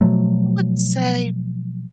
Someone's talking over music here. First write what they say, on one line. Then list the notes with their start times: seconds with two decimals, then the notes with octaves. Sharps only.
I would say,
0.01 B2 F3 F#3 A3